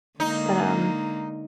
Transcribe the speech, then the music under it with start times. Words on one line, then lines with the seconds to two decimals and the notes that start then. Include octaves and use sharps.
but, um,
0.20 D3 G#3 A#3 D#4